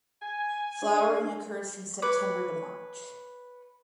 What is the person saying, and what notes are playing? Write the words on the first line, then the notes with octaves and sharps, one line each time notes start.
Flowering occurs from September to March.
G#5
D4 G#4
B4 C#5 D6